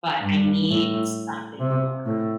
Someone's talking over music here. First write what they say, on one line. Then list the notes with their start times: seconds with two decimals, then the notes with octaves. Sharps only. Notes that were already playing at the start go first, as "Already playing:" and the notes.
but I need something more,
0.21 G2
0.68 A2
1.60 C3
2.06 A2